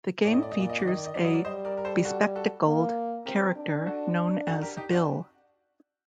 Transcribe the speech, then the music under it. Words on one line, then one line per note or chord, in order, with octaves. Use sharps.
The game features a bespectacled character known as "Bill".
A2 D5
D#5
D5
A#2 D#5
D5
D#5
D5
D#3 D#5
D5
D#5
F#3 D5
D#5
A#4 D5
G3 C5 D#5
A#4 D5
A#4
A4 C5
F#4 A4
F#4 A4
A#3
C4 G4 A#4
D4
F#4 A4
F#4 A4
G4 A#4
D#4 G4
D4 F#4